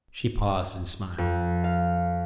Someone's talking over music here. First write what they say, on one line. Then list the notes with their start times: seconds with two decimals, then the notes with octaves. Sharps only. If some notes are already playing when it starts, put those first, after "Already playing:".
She paused and smiled.
1.18 F2
1.64 F5